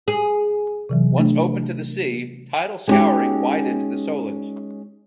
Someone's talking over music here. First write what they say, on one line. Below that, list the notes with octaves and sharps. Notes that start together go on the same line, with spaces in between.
Once open to the sea, tidal scouring widened the Solent.
G#4
C3 E3 F#3
A3 D4
G#3 B3 C#4 D#4 F#4 G4